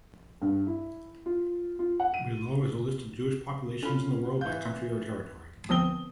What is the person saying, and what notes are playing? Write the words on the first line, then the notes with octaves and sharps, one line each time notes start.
Below is a list of Jewish populations in the world by country or territory.
G2
E4
F4
F4
F#5
D#7
C#4 F4 A4 B5
E3 F5 G6
C#2 D3 F3 B3 C4 D#6 G7